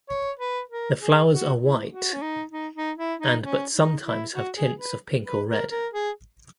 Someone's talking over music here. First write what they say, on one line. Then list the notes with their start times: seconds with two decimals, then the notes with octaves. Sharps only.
The flowers are white and but sometimes have tints of pink or red.
0.10 C#5
0.39 B4
0.70 A#4
1.01 G#4
1.31 F#4
1.61 E4
1.91 F#4
2.13 C#4
2.22 D#4
2.52 D#4
2.76 D#4
2.98 E4
3.20 D#4
3.44 C#4
3.74 D#4
4.04 E4
4.34 F#4
4.57 G#4
4.80 B4
5.25 B4
5.48 A#4
5.71 A#4
5.94 G#4